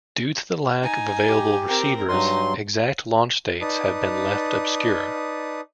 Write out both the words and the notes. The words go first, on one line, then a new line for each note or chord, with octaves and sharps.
Due to the lack of available receivers, exact launch dates have been left obscure.
D#4 G#5
G4
C4 A#4
G2 F#3 D#4 C6
D#4 B4 D5 A5 D#6